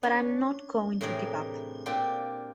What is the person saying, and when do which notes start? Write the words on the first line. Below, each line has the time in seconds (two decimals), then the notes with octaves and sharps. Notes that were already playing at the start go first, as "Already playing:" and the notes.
But I'm not going to give up.
0.03 C#4 D4 G#5
1.01 A2 C3 E3 D4 G#4 A#4
1.86 A#2 C4 D4 F4 G4 G5